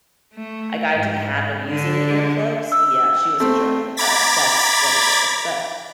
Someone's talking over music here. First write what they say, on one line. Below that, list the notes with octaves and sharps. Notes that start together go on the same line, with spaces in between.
I got into the habit of using the earplugs. Yeah. She was a jerk, but that's what it is. But
A3
G#2
D3
E6
A3 C4
A#5 B5 D6 G#6 A6 B6